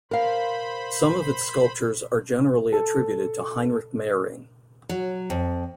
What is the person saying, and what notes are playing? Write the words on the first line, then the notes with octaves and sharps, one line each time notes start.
Some of its sculptures are generally attributed to Heinrich Meyring.
A#4 C5 F5 B5
A4
F#3
F2